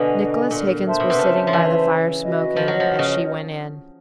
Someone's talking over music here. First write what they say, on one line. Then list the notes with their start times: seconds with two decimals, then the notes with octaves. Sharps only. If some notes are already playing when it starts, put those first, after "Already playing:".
Nicholas Higgins was sitting by the fire smoking, as she went in.
Already playing: B2 D3 B4 D#5 G#5
0.51 A#2
0.85 C5 E5 A5 C6
1.00 B2
1.10 C3
1.19 C#3
1.47 F3
1.53 E3
2.22 F#4 B4 D#5
2.56 F3
2.68 F#3
2.80 F3
2.99 C#3